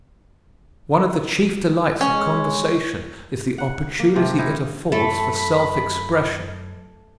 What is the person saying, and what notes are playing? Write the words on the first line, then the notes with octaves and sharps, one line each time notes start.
One of the chief delights of conversation is the opportunity it affords for self-expression.
G#3 C#4 C#6
F#5
A#3
G#2 C3 F3
D#4 E4 A#4
F#2 A3 A4 B5